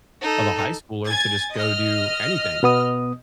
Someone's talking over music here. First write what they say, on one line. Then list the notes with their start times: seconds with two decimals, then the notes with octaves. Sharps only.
of a high schooler to just go do anything,
0.21 D#4 A4
1.07 G#5 G#6 A6
1.53 D#5 F6
2.63 B2 B3 D#6